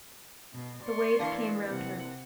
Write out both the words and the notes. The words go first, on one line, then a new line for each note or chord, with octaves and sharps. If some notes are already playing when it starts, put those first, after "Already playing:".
The waves came round her.
B2
D5 C6 C#6
E3 A#3 D4
C3 F#5